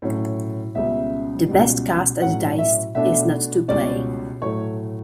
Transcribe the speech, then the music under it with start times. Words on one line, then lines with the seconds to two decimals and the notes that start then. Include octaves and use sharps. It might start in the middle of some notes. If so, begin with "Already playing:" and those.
The best cast at dice is not to play.
0.02 A2 F#3 C#4
0.75 C#2 C#3 G3 B3 E5
1.48 C#2 B2 G3
2.22 A2 F#3 C#4 F#5
2.58 E5
2.95 B2 A3 D4 E5
3.68 C#2 B2 G3 C#4 D5
4.42 A2 F#3 A3 C#5